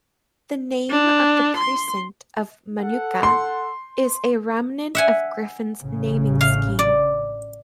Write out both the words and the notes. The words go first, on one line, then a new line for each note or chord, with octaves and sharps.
The name of the precinct of Manuka is a remnant of Griffin's naming scheme.
D4
C6
A4 F#5
C6
E5 F#5 G#5
A1 C#3
F5
D5